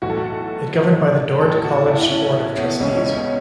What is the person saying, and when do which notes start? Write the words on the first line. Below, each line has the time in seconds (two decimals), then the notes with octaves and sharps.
It governed by the Dordt College Board of Trustees.
0.02 B1 A2 E3 F#4
0.10 A4
0.17 F#4
1.41 A1 A2 E3 A4
1.64 F#4
1.87 E4
2.01 E4
2.10 C#4
2.57 B3
2.80 C#2 C#3 E3 C#4
2.97 C#4
3.15 B3